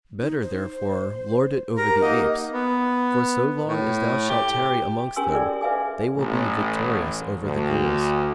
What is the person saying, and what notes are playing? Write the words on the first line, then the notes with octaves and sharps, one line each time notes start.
Better therefore lord it over the apes, for so long as thou shalt tarry amongst them they will be victorious over the Ghuls.
D#4
C5
G4 A#4 A#5
A#3 D#4 D#5 F#5
B3
A2
G4
C#4 G4 A#4 G#5 C6 E6
E4 F#4 G#4 A4 D5
B4 E5 F5 G#5 D6
A1
D2